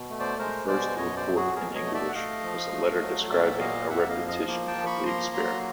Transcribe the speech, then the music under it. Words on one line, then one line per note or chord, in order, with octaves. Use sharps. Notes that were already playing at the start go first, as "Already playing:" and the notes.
The first report in English was a letter describing a repetition of the experiment.
Already playing: B2
A3
C5 D5
G#3 A#4 C5
B2 C5 D5
F#2 C#5 D#5
C5 D5
F#3
F#4 G#4
B2 G#4 A#4
C#5 D#5
A3
D5 E5
F#5
A3 D#5 F5
F3
A3
F#3
A#2 D5 E5
A#3 D#5 F5
F2 E5 F#5
D#5 F5
F3
D#5 F5
A#3
G5 A5
F3
B5 C#6
A#3 A#5 C6
F#3